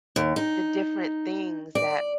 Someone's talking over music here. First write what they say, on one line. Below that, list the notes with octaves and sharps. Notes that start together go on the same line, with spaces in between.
the different things that
D#2
D#4
D5